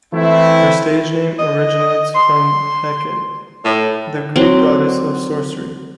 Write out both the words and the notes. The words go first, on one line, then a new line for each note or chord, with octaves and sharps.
Her stage name originates from Hecate, the Greek goddess of sorcery.
E3 A3 C4 E4
D#5
C6
A2
F#3 C4